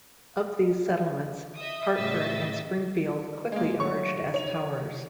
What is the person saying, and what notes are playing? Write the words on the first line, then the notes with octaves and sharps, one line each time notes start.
Of these settlements, Hartford and Springfield quickly emerged as powers.
D#5 E5 D#6
A2 C#3 D#5 E5 E6 A6
G#3 A#3
F#3 A3 C#5 C#6
D#4 C#5 F7